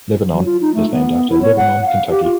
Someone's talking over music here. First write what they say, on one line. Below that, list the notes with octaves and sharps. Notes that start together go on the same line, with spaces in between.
Lebanon is named after Lebanon, Kentucky.
F#3
F4
D#4
A3
B3
E4
C#5
F#5
F5
G4
F4